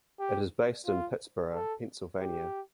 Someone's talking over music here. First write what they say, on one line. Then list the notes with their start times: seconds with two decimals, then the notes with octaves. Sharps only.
It is based in Pittsburgh, Pennsylvania.
0.20 G4
0.86 F4
1.54 A4
2.21 G4